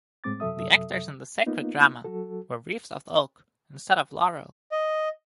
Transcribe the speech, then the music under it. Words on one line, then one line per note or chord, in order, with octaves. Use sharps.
The actors in the sacred drama wore wreaths of oak instead of laurel.
A2 G#3 C4 D6 A6
F#2 C3 F#3 A4 E5 D#6
A#3 B3 D#4 F4
F#3 F#4 A4
D#5